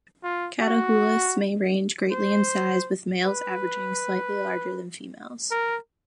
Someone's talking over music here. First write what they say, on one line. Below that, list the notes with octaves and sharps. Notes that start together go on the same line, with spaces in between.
Catahoulas may range greatly in size with males averaging slightly larger than females.
F4
F#4
C5
B4
A#4